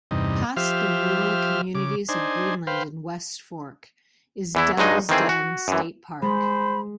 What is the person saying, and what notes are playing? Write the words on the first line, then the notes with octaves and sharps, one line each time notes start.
Past the rural communities of Greenland and West Fork is Devil's Den State Park.
E2 G2 C3 D#4
F3 G4 C5 E5 F5 F6
C#3 D6
D4 D#4 C5 G#5
B4 C5 F5 G5
E2 E3 E4
G2 F#3 G#3 D#4 D#5
D#3 E3 C4 G#4
F#4
F#2 E3
G#3 C5 B5